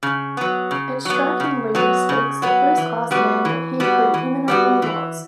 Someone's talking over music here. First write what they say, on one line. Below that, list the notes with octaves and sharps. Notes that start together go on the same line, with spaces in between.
It strikingly bespeaks the first-class man that he pre-eminently was.
C#3
F#3 B3
C#3
F#3 B3
C#3
F#3 B3
C#3
F#3 B3
E3
G3 B3 F#4
E3
G3 B3 F#4
E3
G3 B3 F#4
E3